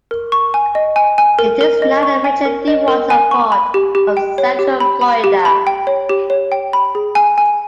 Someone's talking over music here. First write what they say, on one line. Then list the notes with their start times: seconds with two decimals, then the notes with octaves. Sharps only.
It is now the major deep-water port of Central Florida.
0.11 A#4
0.32 C#6
0.54 G#5
0.75 D#5
0.96 G#5
1.18 G#5
1.39 A#4
1.61 A#4
1.82 D#5
2.03 C#6
2.24 G#5
2.45 A#4
2.68 D#5
2.88 A#4
3.10 G#5
3.31 C#6
3.52 B5
3.74 G4
3.95 G4
4.17 G5
4.38 C#5
4.59 G4
4.80 B5
5.01 B5
5.24 G4
5.45 B5
5.67 G5
5.87 C#5
6.09 G4
6.30 C#5
6.52 G5
6.73 B5
6.95 G#4
7.15 G#5
7.38 G#5